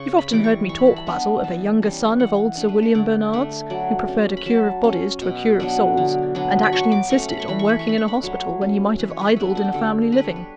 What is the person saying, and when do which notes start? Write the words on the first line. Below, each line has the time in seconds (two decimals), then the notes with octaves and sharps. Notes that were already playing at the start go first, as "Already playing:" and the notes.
You've often heard me talk, Basil, of a younger son of old Sir William Bernard's, who preferred a cure of bodies to a cure of souls; and actually insisted on working in a hospital when he might have idled in a family living.
Already playing: C#3 C#6
0.18 B5
0.31 E3 G3 D6
0.44 C#6
0.69 E3 C#6
0.78 B5
0.87 A5
0.96 B5
1.07 B3 D4
1.44 E3 A5
1.82 G3 C#4
2.20 E3 F#5
2.57 A3 D4
2.69 B4
2.82 C#5
2.95 D3 D5
3.33 A3 D4
3.70 F#3 D5
4.08 C#4
4.37 B5
4.46 F#3 A5
4.84 C#4
5.22 B2
5.60 F#3 B3 D4
5.97 D3
6.35 F#3 B3 D4
6.63 B5
6.73 F#3 C#6
6.92 D6
7.10 A3 C#4 C#6
7.29 B5
7.40 C#6
7.48 E3 B5
7.59 C#6
7.69 B5
7.79 C#6
7.86 A3 D4 B5
7.98 C#6
8.08 B5
8.23 F#3 C#5
8.61 C#4
8.99 E3 B4
9.10 C#5
9.21 B4
9.36 B3 D4 A4
9.55 F#4
9.64 G4
9.74 D3 A4
10.12 G3 D4 B4
10.24 C#5
10.36 B4